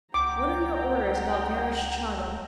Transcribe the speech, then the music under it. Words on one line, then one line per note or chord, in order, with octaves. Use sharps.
What are your orders about Vereshchagin?
C#2 F#5 G5 A#5 D6